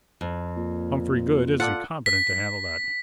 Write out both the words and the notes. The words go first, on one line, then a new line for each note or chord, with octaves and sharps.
Humphrey Goode isn't competent to handle that.
F2
A#2
F4 A4 D5 F#5
B6